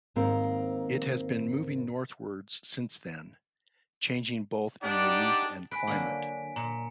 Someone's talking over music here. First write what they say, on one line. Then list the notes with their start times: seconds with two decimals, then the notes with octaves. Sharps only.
It has been moving northwards since then, changing both in relief and climate.
0.16 D#2 G#2 C4 A#4 F5
4.83 D4 D#4 G4 D5 F#5
5.71 B4 G#5 B6 D7
5.87 D3 F#3 A#3
6.56 A#2 A#5 C#7